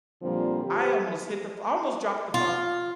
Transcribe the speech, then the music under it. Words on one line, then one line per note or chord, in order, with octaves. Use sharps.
I almost hit the fl I almost dropped the phone.
A#2 D3 F3 G3 A#3 C4
G4 C5
F4